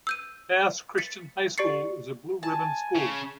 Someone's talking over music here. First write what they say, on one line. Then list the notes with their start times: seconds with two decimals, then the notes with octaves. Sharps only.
Pass Christian High School is a Blue Ribbon school.
0.07 E6 G6 D#7
0.98 A6 B6 C#7
1.58 G4 D5 C#6 A6 C7 C#7
2.43 G#5 A5
2.96 C#3